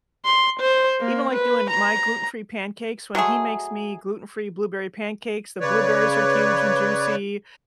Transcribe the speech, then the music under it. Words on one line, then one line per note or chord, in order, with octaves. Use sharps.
Even, like, doing my gluten-free pancakes, when he makes me gluten-free blueberry pancakes, the blueberries are huge and juicy,
C6
C5
A#3
B4
A#5
F#3 G#3 A3 G#4
C#3 B4 C#5 D5